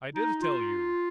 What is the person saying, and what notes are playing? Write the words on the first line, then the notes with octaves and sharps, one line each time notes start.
I did tell you.
D#4
F4